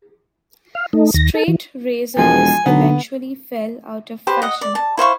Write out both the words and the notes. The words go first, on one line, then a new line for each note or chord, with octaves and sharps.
Straight razors eventually fell out of fashion.
F5
A3 D#4
D#2 A#6
A4
E3
E1 F3 G#3 G#5
B1 D3 B3
G4 B4 C5
D#5 F#5
D5
A5
E4 C5 F5 C#6